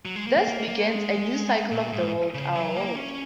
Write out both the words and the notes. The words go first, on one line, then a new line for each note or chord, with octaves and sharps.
Thus begins a new cycle of the world: our world.
F#3
G#3
A#3
A#3
A#3
A#3
G#3
A#2
G#2
C#3
F#3
A#3
C#4